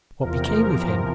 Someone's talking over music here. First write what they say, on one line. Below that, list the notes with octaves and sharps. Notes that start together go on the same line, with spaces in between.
What became of him?
E2 C3 F3 A#4